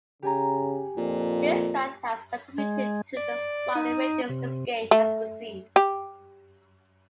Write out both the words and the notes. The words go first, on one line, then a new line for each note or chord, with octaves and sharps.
This fact has contributed to the solid ratings this game has received.
C#3 G4 G#5 A#5
F2 A#2
G#3
D5
D#4
C3
A3
G4